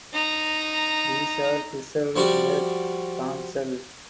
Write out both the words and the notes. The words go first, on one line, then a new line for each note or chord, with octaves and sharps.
These are preserved in the chancel.
D#4 A#5
F3 G3 F#4 G4 D5